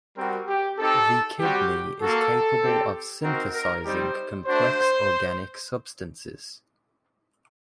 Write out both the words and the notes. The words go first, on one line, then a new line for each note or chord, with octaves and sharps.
The kidney is capable of synthesizing complex organic substances.
G3 C4 F#4 A#4
G4
C4 D#4 G4 A4
G3 C4 F#4 G4
A#3 F#4 A4
C4 G4
C4 D#4 F#4 A#4
A#4
G3 C4 D#4 G4 C5
A3 D4 F#4 C5